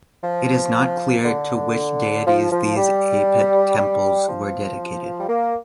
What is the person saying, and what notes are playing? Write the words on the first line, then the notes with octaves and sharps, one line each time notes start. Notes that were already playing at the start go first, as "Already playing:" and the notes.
It is not clear to which deities these Apit temples were dedicated.
F3
D3
F3
F3
G3
G3
F3
G3
A#3